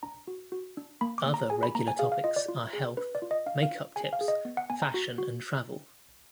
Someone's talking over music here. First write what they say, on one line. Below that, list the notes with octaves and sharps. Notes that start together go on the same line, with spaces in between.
Other regular topics are health, make-up tips, fashion, and travel.
D4 A#5
F#4
F#4
D4
A#3 B5
D6
A#3
A#5
G#4 G#5
B5
A#3 A#5
G#5
G#4 F5
F5
F4 D#5
D5
F4
G#4
D4 B4
D5
F4
D#5
D4 F5
F5
F4
G#4 G#5
F5
G#4
D#5
B3
F#5
B3 G#5
A#5
F#4
F#4